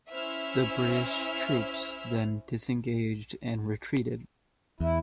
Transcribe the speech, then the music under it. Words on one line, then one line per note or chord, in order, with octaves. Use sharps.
The British troops then disengaged and retreated.
C#4 E4 C5 E5 E6 F6
E2 E4